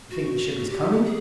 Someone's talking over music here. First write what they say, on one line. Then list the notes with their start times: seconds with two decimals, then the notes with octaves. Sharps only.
"You think the ship is coming?"
0.10 F#4
0.57 F#4
0.69 G4
0.81 G4
0.93 G4
1.04 G#4